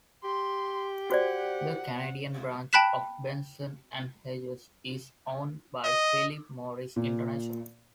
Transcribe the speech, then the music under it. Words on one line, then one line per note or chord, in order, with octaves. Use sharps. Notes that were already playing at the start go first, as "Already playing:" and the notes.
The Canadian branch of Benson and Hedges is owned by Philip Morris International.
G4 C6
F#4 C5 D5 F#5
G5 A5 B5 F#6 B6 E7
D#5
A#2